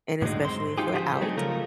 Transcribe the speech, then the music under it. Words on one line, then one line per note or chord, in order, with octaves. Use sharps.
And especially if we're out
A2 D3 F#3 G#3 D#4
G#2 C4 C6
D#4 F4 G4 G#4
D3 F3 G4 G#4 C5
F#3 A3 C4 D#4 G#4
C#3 F3 A3 C#4 F4 A#4